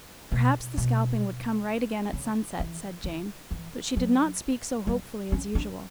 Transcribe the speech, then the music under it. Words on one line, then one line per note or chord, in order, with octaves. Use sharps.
'Perhaps the scalping would come right again at sunset,' said Jane; but she did not speak so hopefully as usual.
B2
B2
C#3
E3
D3
E3
F#3
G3
C#4
D4